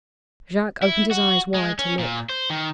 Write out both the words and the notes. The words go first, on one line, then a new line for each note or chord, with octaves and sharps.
Jacques opened his eyes wide to look.
E4
F#4
G#3
C#4
A#2
C5
D#3